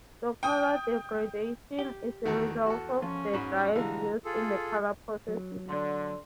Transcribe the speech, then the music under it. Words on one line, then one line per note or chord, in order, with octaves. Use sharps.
The color degradation is the result of the dyes used in the color processes.
G5 D#6
G4
E2 D#3 F#4 A4
F#4 A4
F3 C#4 F4
B1 G#2 F#4 B5
D3 E3 G3 G#3 F5 A#5
F4 G#4 A4
F#3
D3 D5 C6